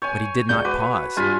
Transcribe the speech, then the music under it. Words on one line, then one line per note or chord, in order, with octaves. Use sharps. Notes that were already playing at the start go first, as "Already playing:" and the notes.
But he did not pause.
C#5 G#5 C#6 G6
C#2 D5 G6
F#4 B4 D6
G2 F4 G#5 B6